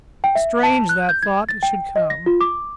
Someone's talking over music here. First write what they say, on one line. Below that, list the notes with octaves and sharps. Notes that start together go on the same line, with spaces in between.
Strange that thought should come!
G5
E5
A5
F#6
G6
G#6
A6
G5
D#5
A#6
F4
D6